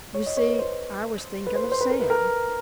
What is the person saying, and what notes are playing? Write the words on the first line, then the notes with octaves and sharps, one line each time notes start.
You see, I was thinking of Sam.
C#5
D#5
C#5
B4
C5
B4
C5
B4
C5
B4
A#4
B4
A#4